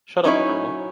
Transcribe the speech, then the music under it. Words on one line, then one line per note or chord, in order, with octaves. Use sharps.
Shut up, girl!
F#3 C#4 D#4 E4 C#5